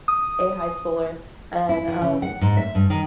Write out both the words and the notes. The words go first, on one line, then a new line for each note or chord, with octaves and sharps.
a high schooler, and, um,
D#6
E4
E3
C#3
F#5
G#2
E5
G2
D#3